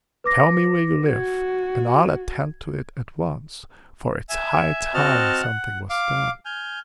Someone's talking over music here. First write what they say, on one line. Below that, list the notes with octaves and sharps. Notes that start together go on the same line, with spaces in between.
Tell me where you live, and I'll attend to it at once, for it's high time something was done.'
B4 D6 A#6
F#4 G#6
E5 G#5
C4 F#4 D#5 A5 F6
F#5
F5 D6
G#5 F6 G6